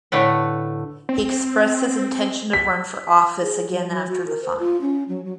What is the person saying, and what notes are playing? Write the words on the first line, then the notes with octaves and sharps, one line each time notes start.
He expressed his intention to run for office again after the fine.
A2 D3 A3 B4
C4
B6
G#4
F#3
F#3
F#4
A#4
C5
F4
C#4
F#3
F#3